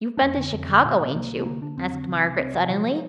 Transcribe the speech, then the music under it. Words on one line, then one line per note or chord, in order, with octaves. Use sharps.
"You've been to Chicago, ain't you?" asked Margaret suddenly.
D4
F2 C4
D3
F2
D3
A#2
A#2
C2 A#3
C2
D3 A#3
D3 D4
F2 C4
D3
C2
C2
C2 C4
C3
A#2 F3